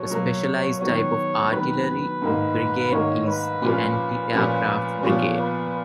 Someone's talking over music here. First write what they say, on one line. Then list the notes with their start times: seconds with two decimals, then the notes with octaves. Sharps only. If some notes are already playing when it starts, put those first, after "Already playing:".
A specialised type of artillery brigade is the anti-aircraft brigade.
Already playing: B2 F#3 C#5
0.10 B2 F#3 A#3
0.81 D#3 F#3 B3 C#5
1.51 D#3 F#3 B3 B4
2.22 G#2 D#3 A#3 D#4
2.91 G#2 D#3 A#3 D#4 C#5
3.27 B4
3.62 A#2 F3 A#3 C#4 F4
4.33 A#2 F3 A#3 C#4 F4
5.03 A#2 F3 B3 F4 C#5
5.39 B4